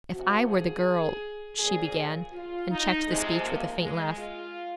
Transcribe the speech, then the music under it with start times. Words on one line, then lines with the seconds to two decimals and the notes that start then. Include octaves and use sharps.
'If I were the girl,--' she began, and checked the speech with a faint laugh.
0.10 C3 F3 F#4
0.47 G#4
1.58 A#2 F3 G#4
2.32 F4
2.69 D#4
3.07 C3 F3 G#3
3.43 A#3
3.80 G#3
4.17 F4